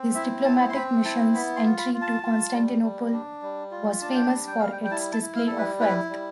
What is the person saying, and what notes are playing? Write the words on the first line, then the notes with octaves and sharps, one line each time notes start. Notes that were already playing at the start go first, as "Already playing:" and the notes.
His diplomatic mission's entry to Constantinople was famous for its display of wealth.
Already playing: C4
E4 E5
C4 A5
C6
C4 B5
E4 A5
B3 B5
C6
F4
B5
F4
A5
F4
G3
G3
D4
G3
F4
D4 A5
G5
A5
G3
G5
G3 F5
G5
G5
E4 A5
A5
E4
F5
G3 A4
B4
E4 B4
G3